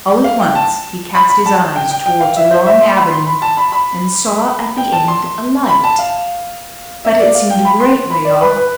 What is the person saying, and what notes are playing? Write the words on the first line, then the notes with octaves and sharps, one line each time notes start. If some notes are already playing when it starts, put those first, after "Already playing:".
All at once, he cast his eyes towards a long avenue, and saw at the end a light, but it seemed a great way off.
F5
G5
A5
B5
B5
A5
G5
G5
G5
F5
E5
C5
E5
C6
B5
C6
B5
A5
B5
B5
G5
A5
C6
B5
A5
F5
E5
D5
F5
G5
B5
C6
B5
D5
B4
B4